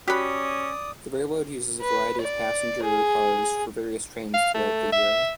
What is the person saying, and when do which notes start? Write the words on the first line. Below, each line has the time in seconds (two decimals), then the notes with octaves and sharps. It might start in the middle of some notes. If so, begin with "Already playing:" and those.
The railroad uses a variety of passenger cars for various trains throughout the year.
0.08 C#4 F#4 G4 D5 B5 D#6 F#6
1.82 B4
2.21 D5
2.83 G#4
4.34 F5
4.54 A3
4.92 E5